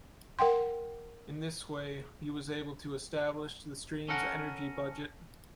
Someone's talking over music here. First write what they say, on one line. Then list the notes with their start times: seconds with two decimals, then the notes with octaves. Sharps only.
In this way he was able to establish the stream's energy budget.
0.39 A#4 F#5 G5 C6
4.08 C#4 A4 A#4 F#5